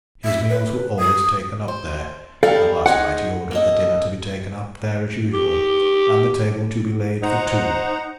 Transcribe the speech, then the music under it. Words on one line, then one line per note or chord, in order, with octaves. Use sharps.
His meals were always taken up there, and last night he ordered the dinner to be taken up there as usual, and the table to be laid for two.
E5
B4
D#6
C5
G3 B3 A4 A#4 F5
D#4 G#4 C5 F#5
A#3 A4 D#5
G4
D#4 C5 F#5 A#5